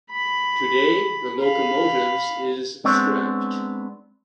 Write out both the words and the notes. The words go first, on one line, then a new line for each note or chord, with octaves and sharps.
Today the locomotives is scrapped.
B5
F5 B5
G#3 B3 C4 D4 C#5